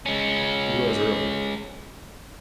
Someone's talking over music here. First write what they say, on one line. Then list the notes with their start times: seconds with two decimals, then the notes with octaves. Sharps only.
He rose early.
0.06 G#3 C#4